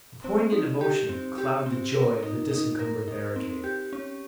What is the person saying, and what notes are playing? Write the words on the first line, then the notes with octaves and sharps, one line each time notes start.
A poignant emotion clouded the joy of the disencumbered barricade.
C4
D#4
G4
C4
G4
C4
A#4
D#4
D#4
A#4
D#4
C4
G4
C#4